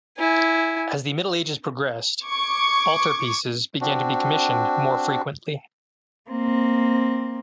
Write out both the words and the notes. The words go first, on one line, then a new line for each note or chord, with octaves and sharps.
As the Middle Ages progressed, altarpieces began to be commissioned more frequently.
E4 G#5
C#6 D6 G#6
C4 D4 F#4
A#3 C4